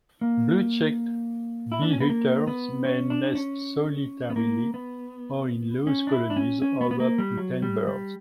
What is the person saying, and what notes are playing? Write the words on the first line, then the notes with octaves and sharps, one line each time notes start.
Blue-cheeked bee-eaters may nest solitarily or in loose colonies of up to ten birds.
A#3
E4
D4
C#4
B3
A#3
B3
C#4
D4
C#4
B3
A#3
B3
C#4
D4
E4
D4
C#4
C#4
B3
B3
A#3
G3
F#3
G3
G3